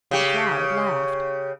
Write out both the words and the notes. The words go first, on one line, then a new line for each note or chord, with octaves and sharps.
The crowd laughed.
C#3 G4